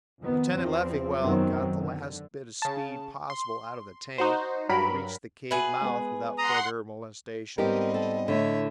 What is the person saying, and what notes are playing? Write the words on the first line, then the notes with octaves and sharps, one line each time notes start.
Lieutenant Leffingwell got the last bit of speed possible out of the tank and they reached the cave mouth without further molestation.
F2 D#3 B3
E2 F3 C4
F#2 D#3 F#3 B3 C4
D3
C#3 A5
C6
D#4 F#4 C5
G2 F#3 A#4 B5
F#4 G#4 B4 E5
G#3 B3
F#5 A#5 C6 D#6
G#2 G3 B3 C4 G4 A#4 D#5
A4
A2 D3 C#5 E5